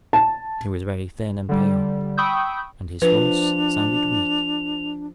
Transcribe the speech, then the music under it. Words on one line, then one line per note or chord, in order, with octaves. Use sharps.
He was very thin and pale, and his voice sounded weak.
A5
D3 G3
G5 B5 C#6 D#6 E6 G6
F3 D4 B4 F7